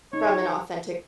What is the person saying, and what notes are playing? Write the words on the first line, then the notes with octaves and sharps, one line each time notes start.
from an authentic
D#4 C#5